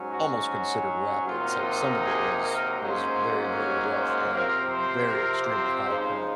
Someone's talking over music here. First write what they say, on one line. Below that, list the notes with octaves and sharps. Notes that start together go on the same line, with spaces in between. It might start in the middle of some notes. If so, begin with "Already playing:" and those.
almost considered rapid, so some of it was was very, very rough and very extremely high current,
Already playing: G#2 F#3 C#4
F#4
C3 F#3 A#3 D#4 F4
G#4
A#4
G#2 F#3 A#3 C#4 C5
C#5
C5
C3 F3 C4 A#4
C5
A#4
C5
C#3 F3 G#3 D#4 C5